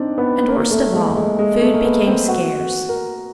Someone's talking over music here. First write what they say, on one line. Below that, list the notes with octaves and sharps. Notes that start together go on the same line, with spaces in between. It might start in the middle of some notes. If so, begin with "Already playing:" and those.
And, worst of all, food became scarce.
Already playing: C4 D4 D#4
B3
A#3
A3
G#3
G#3
G#3
A3
A#3
B3
C4
F#4
A#4